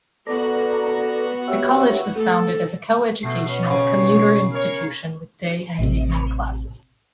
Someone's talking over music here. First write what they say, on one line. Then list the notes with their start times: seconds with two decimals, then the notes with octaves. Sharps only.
The college was founded as a coeducational, commuter institution with day and evening classes.
0.27 B3 F#4 A4 D5 A#5
1.48 G4 C#5 E5
2.16 A3 A4
3.23 B2 A3 C7
3.48 C#4
3.70 C#3 C#5
4.52 A#4 C#5 C7
5.79 A1 C3